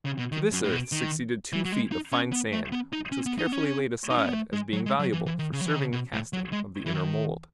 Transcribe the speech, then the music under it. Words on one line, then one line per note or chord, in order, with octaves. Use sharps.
To this earth succeeded two feet of fine sand, which was carefully laid aside as being valuable for serving the casting of the inner mould.
C#3
B2
D#3
F#2
A2
B2
D#3
E3
F#3
G#3
D#4
C#4
B3
A3
B3
D#4
C#4
B3
D#4
B3
C#4
D#4
C#4
B3
A3
G#3
F#3
G#3
F#3
E3
E3
D#3
C#3
F#3
E3
D#3
C#3
B2
A2
F#3
G#3
E3
D#3